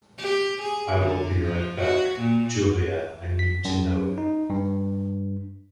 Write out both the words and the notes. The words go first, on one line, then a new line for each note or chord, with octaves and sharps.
I will be right back. Julia, I need to know it.
G4
G#4
D3
F3
F#4
A#2
B6
F#2
D#4
G2